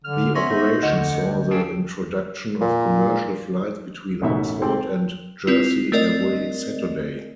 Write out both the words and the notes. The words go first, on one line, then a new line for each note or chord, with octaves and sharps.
The operation saw the introduction of commercial flights between Oxford and Jersey every Saturday.
D3 F6
B3 C#4 E5 C6 C#6 A#6
D#4 E5
D2 D3 D#5 F#5 G6
C#4 G#4 F5 G5 A5
A#2
A1 F#2 B2 D#4 E5
C4 G4 A4
C4 E4 F4
A3 C4 A#4 D5 D#5